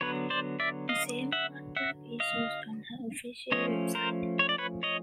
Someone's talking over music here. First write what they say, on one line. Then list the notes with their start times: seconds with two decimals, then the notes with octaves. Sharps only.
The same artwork is used on her official website.
0.01 D3 F#3 B3 B4 C#5
0.30 C5 D5
0.60 D5 E5
0.89 D#5 F5
1.32 E5 F#5
1.76 E5 F#5
2.20 D#5 F5
3.52 F3 A3 C#4 C#5 D#5
3.95 A#4 C5
4.39 C#5
4.49 D5
4.58 B4 C#5
4.83 C#5 D#5